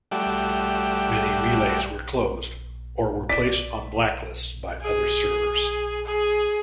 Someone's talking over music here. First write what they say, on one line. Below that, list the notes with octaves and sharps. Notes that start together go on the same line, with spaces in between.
Many relays were closed, or were placed on blacklists by other servers.
G3 A3 F#4 G4 D5 E5
D5 B6
G#4
G#4